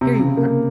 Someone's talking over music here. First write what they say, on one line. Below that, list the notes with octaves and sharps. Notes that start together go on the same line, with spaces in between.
"Here you are!"
C3
C#3
A#3